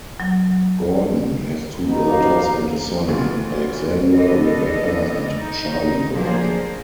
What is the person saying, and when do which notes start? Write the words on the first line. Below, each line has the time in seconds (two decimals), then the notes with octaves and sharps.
Gordon has two daughters and a son, Alexandra, Rebecca, and Charlie Gordon.
0.20 F#3
1.88 B2 D#4
2.08 F5 A#5 D6
3.08 D2 E3 F4
4.13 B3 D4 A4 D#5
5.38 D#4
6.13 F3 A#3 D4 G#4 A#4 C5